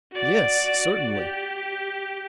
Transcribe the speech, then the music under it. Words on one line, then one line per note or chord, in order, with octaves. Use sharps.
Yes, certainly.
F#4 D5
G4